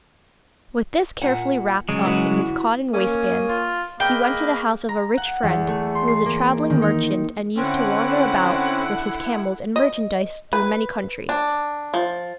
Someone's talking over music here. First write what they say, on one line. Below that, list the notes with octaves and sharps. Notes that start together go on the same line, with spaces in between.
With this carefully wrapped up in his cotton waistband he went to the house of a rich friend, who was a travelling merchant, and used to wander about with his camels and merchandise through many countries.
A#2 F#5
C#3 F#3 G#3
E3 F#4
A#3 C#4 C#5 G#5 D#6
F4
A#3 G#4 B4 D#5 G5
A#5
F#5
E2
A3
C6
C7
A#3
D#3
D#4
D3 C4 C#4 E4 F#5
D#5
B4
D4
F3